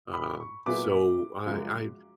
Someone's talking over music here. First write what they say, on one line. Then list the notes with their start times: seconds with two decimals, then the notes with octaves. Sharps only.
um, so, I I
0.13 B5
0.40 C#6
0.66 A#2 F#3 B3 E4 G#4 D6
1.46 F#2 C#3 F3 G#3